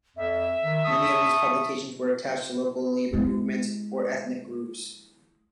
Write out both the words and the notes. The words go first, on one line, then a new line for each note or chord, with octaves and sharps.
Many of these publications were attached to local labour movements or ethnic groups.
F2 E5
D#3
A5 C#6 D#6
G#3 E4